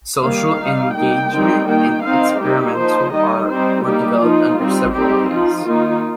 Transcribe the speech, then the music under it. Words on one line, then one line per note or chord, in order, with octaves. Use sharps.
Social engagement and experimental art were developed under several ways.
D#3 G3 A#3 F5
G3 D#4
G3 A#3 D#4 G5
D#3 G3 C4 D#4
D#3 A#3 D#4 G5
D#3 C4 D#4 F5
G3 A#3 D#4 G4
F3 D#4 C5
D#3 G3 D#4 D#5
G3 C4 D#4 C5
G3 A#3 D#4 G4
F3 D#4 F4
G3 C4 D#4
G3 C4 D#4 G4
F3 D#4 F4
D#3 A#3 D#4